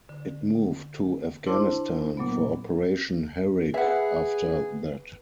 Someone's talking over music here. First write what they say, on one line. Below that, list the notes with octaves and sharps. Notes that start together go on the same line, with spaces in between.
It moved to Afghanistan for Operation Herrick after that.
D3
D4 E4 C5 A5 C6 D6
A#2 F#3 A#3 B3
G#4 B4 E5 F#5